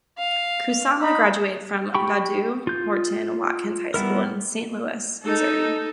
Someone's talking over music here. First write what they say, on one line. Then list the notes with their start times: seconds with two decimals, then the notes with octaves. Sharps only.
Kusama graduated from Ladue Horton Watkins High School in Saint Louis, Missouri.
0.18 F5
1.02 D#4 B5
1.95 G4 G5 B5 C#6
2.67 F4 G6
3.94 G3 B3 E4 A#4
5.22 D#4 A4